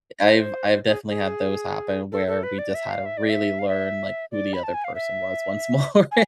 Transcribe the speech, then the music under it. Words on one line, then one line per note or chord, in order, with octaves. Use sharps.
I've I've definitely had those happen, where we just had to really learn, like, who the other person was once more.
C5
G#4
G#4
A4
A4
B4
D5
E5
F5
E5
D5
E5
F5
E5
D5
B5
A5
G#5
F5
E5
G#5